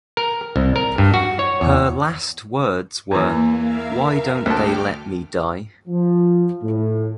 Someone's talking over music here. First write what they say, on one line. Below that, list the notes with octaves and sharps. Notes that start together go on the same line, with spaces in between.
Her last words were, Why don't they let me die?
A#4
C2
A#4
G2
F#4
C#5
E2
E2 E3 A#3
A#4 E5 F5
D2 G5 A5 D6 F6
F3
A2